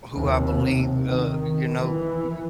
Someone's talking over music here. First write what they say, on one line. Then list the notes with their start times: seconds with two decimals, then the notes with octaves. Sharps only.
who I believe, uh you know, b
0.14 D#2 C3
1.07 D#3
1.79 E3